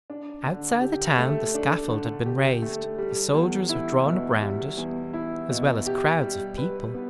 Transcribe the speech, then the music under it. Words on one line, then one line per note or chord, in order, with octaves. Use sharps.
Outside the town the scaffold had been raised, the soldiers were drawn up round it, as well as crowds of people.
D4
D3
G4
A3
D4
D3
G4
A3
G3
E2
E4
B2
G3
E2
E4
B2
G4
G3
B4
B3